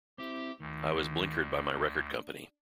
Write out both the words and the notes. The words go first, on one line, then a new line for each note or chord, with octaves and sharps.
I was blinkered by my record company.
C4 E4 G4
D2 D#3
D4